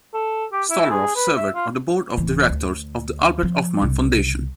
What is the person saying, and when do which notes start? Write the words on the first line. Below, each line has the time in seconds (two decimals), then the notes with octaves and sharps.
Stolaroff served on the board of directors of the Albert Hofmann Foundation.
0.14 A4
0.52 G4
0.70 E4
0.90 G#4
1.16 B4
1.36 E5
1.54 F4
2.17 D1 E3
2.49 D2
3.43 F3
3.82 C2 C#3